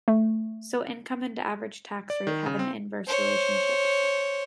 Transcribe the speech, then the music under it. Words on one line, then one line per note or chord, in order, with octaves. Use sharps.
So income and average tax rate have an inverse relationship.
A3
D5
D#3
C#3
C4
C5 C#5